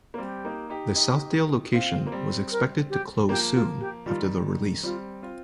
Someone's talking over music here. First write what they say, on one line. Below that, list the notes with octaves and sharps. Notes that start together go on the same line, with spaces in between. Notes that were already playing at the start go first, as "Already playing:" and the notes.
The Southdale location was expected to close soon after the release.
A#3
G3 C4 G4
A#3 D#4
D#4 G4
D#4 G4
C4 F4 F5
A#3
G3 C4
A#4
G4
F3 A#3 G4
F4
G4
D#3 G3 F4
G3 C4 F4
C4 F4